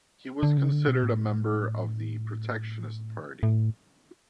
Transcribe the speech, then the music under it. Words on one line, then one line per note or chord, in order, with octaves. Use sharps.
He was considered a member of the Protectionist Party.
D3
C#3
D3
B2
A2
A2